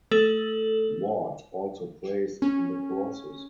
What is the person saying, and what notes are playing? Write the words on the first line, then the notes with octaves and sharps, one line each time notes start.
Ward also praised the courses.
A3 A4 F#7
C#4